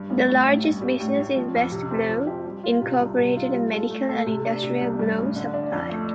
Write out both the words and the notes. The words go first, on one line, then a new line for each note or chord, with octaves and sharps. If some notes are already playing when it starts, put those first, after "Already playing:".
The largest business is Best Glove, Incorporated a medical and industrial glove supplier.
Already playing: G2
A1
A2
A1
G2
G3
A2
A1
F3
F2
C3
C4
F3
G4
G3
F4
C3
C2
C3
F4
G3
A4
A3
A4
C3
D4
C3
C2
G2
A1
D3
D4
F2
A3